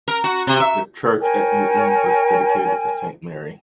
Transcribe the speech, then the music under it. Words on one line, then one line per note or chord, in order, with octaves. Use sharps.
The church at Newton was dedicated to St Mary.
A#4
F#4
C3
E5
A#4 C#5 G5 G#5